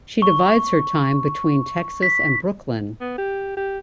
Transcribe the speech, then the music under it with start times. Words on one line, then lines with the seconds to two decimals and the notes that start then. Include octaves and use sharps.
She divides her time between Texas and Brooklyn.
0.22 C#6
2.03 B6
3.01 B3
3.18 G4
3.57 G4